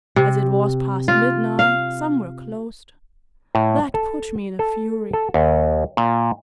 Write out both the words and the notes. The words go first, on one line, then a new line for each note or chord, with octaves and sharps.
As it was past midnight some were closed; that put me in a fury.
C3
F4
F5
A2
A4
A4
A4
D#2
A#2